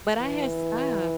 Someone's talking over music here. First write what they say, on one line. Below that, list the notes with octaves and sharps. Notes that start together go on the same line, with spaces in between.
But I had stop.
E3